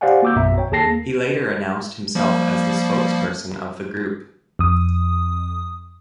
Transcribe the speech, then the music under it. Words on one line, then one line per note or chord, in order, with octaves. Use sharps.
He later announced himself as the spokesperson of the group.
G4 C5 D5 F5 F#5 G#5
A#3 F#4 D6 E6 G6
A#1 F#2 B2 E5 A#5
C#5 G5
D#2 G#4 A4 A5 A#6 C7
A#3
F3 G3 A#3
F2 D#6